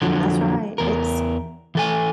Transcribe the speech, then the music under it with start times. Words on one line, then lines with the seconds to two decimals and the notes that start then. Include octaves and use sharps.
That's right, it's
0.02 F2 D3 F3 F#3
0.78 E2 A#4
1.75 E3 A4 G#5